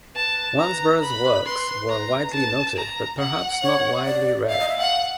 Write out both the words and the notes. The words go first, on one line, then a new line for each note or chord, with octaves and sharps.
Wansbrough's works were widely noted, but perhaps not widely read.
B4 A5
A#5
B5
C6
A#5
A5
A#5
F#5
C#5
D5
E5 F5
D#5
E5
F5 F#5